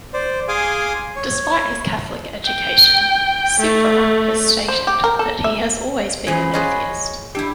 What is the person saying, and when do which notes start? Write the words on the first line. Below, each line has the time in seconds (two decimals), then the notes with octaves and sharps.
Despite his Catholic education, Siffre has stated that he has always been an atheist.
0.14 C5 D5
0.48 G#4 F5 G#5 C6 D6 D#6
1.16 C#5
2.45 G5
3.60 A3
4.68 C5
4.87 G4
5.04 A#4
5.19 A4
5.44 E5
6.27 E3 C#4 F4 G#4 C5
6.53 F4 G#4 B4 C#5 D#5 C#6
7.35 D4 E4 G4 G5